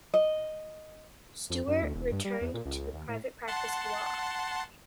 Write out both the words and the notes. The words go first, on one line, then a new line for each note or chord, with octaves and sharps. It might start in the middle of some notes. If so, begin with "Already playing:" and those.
Stewart returned to the private practice of law.
D#5
F2
F#2
D2
E1
G2
G3
E2
A#2
C#2
D#2
A2
F#5 A5 C6